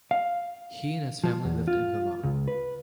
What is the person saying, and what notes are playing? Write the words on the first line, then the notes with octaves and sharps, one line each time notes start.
He and his family lived in Milan.
F5
F3
E2
F4
C#2
B4